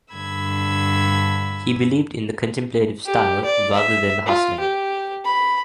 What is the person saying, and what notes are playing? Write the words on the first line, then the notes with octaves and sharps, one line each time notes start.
He believed in the contemplative style rather than the hustling.
G2 D3 B5 E6 G#6
G4
D5
E5
F4
G4
B5